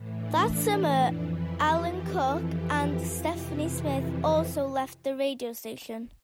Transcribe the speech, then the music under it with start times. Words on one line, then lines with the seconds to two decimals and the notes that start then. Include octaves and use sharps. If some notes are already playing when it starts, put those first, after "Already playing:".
That summer Alan Cook and Stephanie Smith also left the radio station.
Already playing: A2 E3
0.16 D4
1.01 F2 E3 D4
1.30 E4
1.59 G4
1.88 G4
2.15 F2 E3 A4
2.45 G4
2.73 G4
3.01 F4
3.30 F2 C3 E3 G4